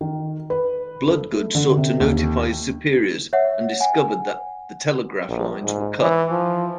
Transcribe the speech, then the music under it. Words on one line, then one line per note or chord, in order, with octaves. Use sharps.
Bloodgood sought to notify his superiors and discovered that the telegraph lines were cut.
D#3
B4
A4
A3
D3
C3
D#2
C#5 E5 F#5
F#5 G#5
A#1
G#2
E3
F3